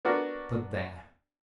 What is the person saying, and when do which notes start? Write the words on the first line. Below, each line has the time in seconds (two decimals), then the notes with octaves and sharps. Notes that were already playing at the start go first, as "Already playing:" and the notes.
But there!
0.05 B3 D4 F#4 A#4